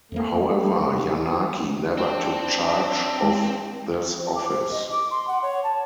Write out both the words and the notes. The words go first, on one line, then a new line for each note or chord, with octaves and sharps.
However, Yanaki never took charge of this office.
F2 F3 A3 A#3
C4 D4
G#3
C5
D6
C5
D#5
D6
C6
F#5
C#5
A5